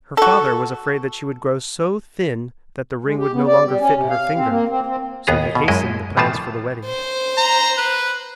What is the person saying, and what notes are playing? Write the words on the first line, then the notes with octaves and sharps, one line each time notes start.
Her father was afraid that she would grow so thin that the ring would no longer fit her finger, so he hastened the plans for the wedding.
F#4 A4
G#3
G4
B3
D5
G3
C#4
C3
F5
C4
A#3
C4
C4
D#2 B3 G#4 A#5
B2
F#2 G#3 E4 D#5
A2 E3 F3 A3 F4 A5
C5
A#5
B4